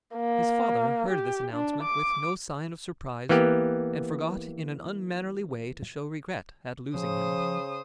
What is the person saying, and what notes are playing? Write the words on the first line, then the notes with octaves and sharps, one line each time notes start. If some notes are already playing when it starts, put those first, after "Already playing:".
His father heard this announcement with no sign of surprise, and forgot in an unmannerly way to show regret at losing him.
A#3
G4
D4
D6
E3 A#3 B3 G4
C#3 F3 C5 D#6